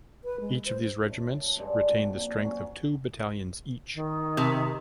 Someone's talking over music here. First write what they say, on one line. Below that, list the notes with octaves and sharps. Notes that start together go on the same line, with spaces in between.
Each of these regiments retained the strength of two battalions each.
B4
G#3
C5
F#2 A5
A5
G2 D3 G#3
F#5
A#2 F3 F#3 C4
F#3 C#4
D#3
C3